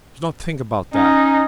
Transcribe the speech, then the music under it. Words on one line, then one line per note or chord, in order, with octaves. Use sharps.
Do not think about that.
C#4 D#4